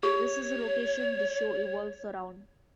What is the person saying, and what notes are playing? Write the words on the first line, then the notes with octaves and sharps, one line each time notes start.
This is the location the show evolves around.
G4 C#5